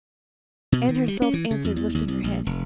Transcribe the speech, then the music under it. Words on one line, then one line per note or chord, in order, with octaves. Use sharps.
Anne herself answered, lifting her head.
B2
D#3
G3
C#4
E3
C#3
F2
E2
D#2
C2
A#1
F1